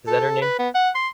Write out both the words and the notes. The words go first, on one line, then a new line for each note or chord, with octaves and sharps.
is that her name?
A4
B4
B3
F#5
C6